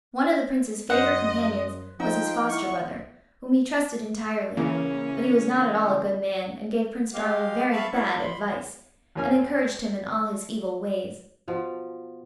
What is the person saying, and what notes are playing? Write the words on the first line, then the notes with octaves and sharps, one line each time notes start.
One of the Prince's favorite companions was his foster-brother, whom he trusted entirely; but he was not at all a good man, and gave Prince Darling very bad advice, and encouraged him in all his evil ways.
F#2 C5 D#5 F#5
F3 D#4 G5
E4 F#5 C#6
C#3 E3 A#3 C#4
G#3 G4 F5
E5 F5 A5 B5 C#6
E4 B4
B5 C6
D#2 A#3 C#4 G#5 F6
B2 F3